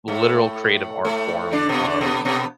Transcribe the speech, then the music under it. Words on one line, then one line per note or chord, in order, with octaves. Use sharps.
literal creative art form of
A2 A3
A2 A3
D3 D4
B2 B3
D3 D4
B2 B3
B2 B3